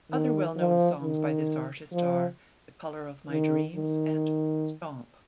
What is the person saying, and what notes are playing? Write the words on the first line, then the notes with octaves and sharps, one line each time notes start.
Other well-known songs by this artist are "The Colour of My Dreams" and "Stomp".
D#3
F3
D#3
F3
D#3
D#3